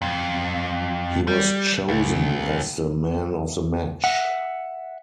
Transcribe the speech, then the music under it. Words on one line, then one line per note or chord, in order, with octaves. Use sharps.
He was chosen as the Man of the Match.
F2
G3
C#2
E5 F#5